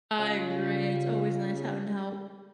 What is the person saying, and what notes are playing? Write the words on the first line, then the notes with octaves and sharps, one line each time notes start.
I agree, it's always nice having help.
C#3 F4